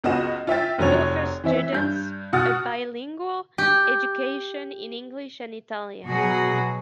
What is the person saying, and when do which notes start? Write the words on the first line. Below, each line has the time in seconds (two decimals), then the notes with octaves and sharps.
It offers students a bilingual education in English and Italian.
0.04 C#2 B3 F4 F#4 D#5 E7
0.47 F4 E5 G5 A6
0.79 F1 F3 F#3 C#5 F7
1.44 E3 C4 E5
1.72 G2 G6
2.33 B2 F#4 F#5 D#6 F6 A6
3.58 G4
6.04 B2 F#3 F#4 G#4